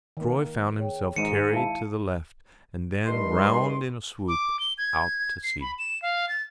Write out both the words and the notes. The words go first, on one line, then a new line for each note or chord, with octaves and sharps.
Troy found himself carried to the left and then round in a swoop out to sea.
D#3 A#3
G#4 C#5 G5
G#2 D#3 G#3 D#4 C#7 D#7 E7
E4 F5 A5
G2 D#3 G3 C6
D6
G7
G#6
C7
B5
E7
F5
A6